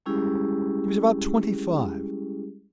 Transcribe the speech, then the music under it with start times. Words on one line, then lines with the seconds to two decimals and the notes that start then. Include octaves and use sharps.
He was about twenty-five.
0.06 G3 G#3 C#4 E4 G4 G#4